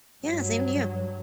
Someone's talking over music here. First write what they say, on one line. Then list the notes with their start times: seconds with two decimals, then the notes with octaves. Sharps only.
Yeah, same to you.
0.24 G2 F#3